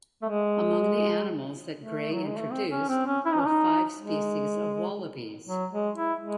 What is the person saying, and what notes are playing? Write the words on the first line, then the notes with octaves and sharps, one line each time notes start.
Among the animals that Grey introduced were five species of wallabies.
A3
G#3
A3
F#3
G#3
A3
C4
C#4
C4
C#4
E4
D#4
C#4
D#4
G#3
F#3
G#3
E4
G#3